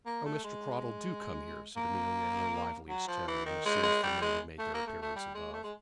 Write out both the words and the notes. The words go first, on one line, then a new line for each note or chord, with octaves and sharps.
"Oh, Mr. Cradell, do come here," said Amelia, in her liveliest tone, as soon as the men made their appearance above.
A#3
A3
G#3
A#3
F#3
F3
E3
D#3
G#3
G#3
G3
G#3
A3
A#3
A3
A3
G3
G#3
A3
G#3